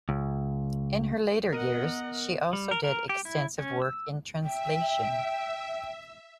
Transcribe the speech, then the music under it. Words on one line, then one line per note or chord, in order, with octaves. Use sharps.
In her later years, she also did extensive work in translation.
C#2
B3 A#4 D#5 F#5 D#7
G3
A#4
A#4
G4
E4
C#4
E6
E5 G5